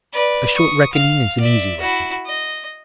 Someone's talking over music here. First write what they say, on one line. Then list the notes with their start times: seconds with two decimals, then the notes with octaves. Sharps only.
A short reckoning is an easy reckoning.
0.13 B4 D5
0.56 C#6 D#6
0.93 F5
1.40 D5 E5
1.80 E4 F#4
2.26 D#5